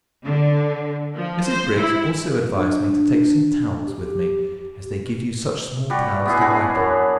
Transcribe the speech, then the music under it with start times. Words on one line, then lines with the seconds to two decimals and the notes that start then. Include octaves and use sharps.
Mrs. Briggs also advised me to take some towels with me, as they give you such small towels to wipe on.
0.25 D3
1.15 F3
1.46 C5
1.77 E4
2.55 D4
3.87 G4
5.90 G3 F#4 D5
6.26 B3 E4 G#4
6.41 B3 D4 F#4 G#4
6.75 F#2